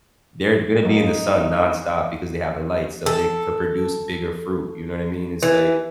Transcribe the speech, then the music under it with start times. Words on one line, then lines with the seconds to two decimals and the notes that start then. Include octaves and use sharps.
They're gonna be in the sun nonstop because they have the lights, so they could produce bigger fruit, you know what I mean? It's, like
0.85 F#3 G#3 A#3 D#4
3.06 A4
5.43 E3